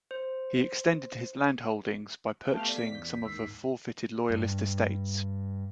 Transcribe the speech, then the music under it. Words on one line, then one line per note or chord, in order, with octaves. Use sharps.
He extended his land holdings by purchasing some of the forfeited Loyalist estates.
C5
A3 B3 G4 F5 A5
D5 B6
E2 G6
D#2 G#2 D#3 E6 C7
G2